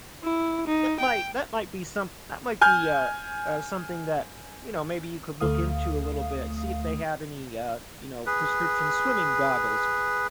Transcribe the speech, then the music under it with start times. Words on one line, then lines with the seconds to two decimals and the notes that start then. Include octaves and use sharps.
That might that might be some that might be, uh uh, something that, you know, maybe you could look into a little bit, see if they have any, uh, you know, prescription swimming goggles.
0.24 E4
0.67 D#4
1.00 G5
2.61 G#5 F6 G6
5.41 D2 A3 F5 D#6
8.26 G#4 B4